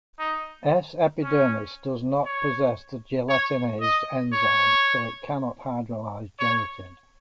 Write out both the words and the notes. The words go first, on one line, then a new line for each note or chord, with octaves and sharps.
"S. epidermidis" does not possess the gelatinase enzyme, so it cannot hydrolyze gelatin.
D#4
C#4
C#5
C#5
D#5
C#5
C#5